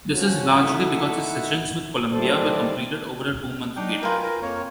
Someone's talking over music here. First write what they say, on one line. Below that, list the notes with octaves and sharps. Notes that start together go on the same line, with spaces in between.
This is largely because his sessions with Columbia were completed over a two-month period.
F3 C#4 F#4
A3 D#4 E4 E5 F#5
D#3 E3 G3 A4 C5 D5
F#3 D4 D#4 G5
F4 A#4 B4 G5 G#5
A#4
F2 A#3 C#5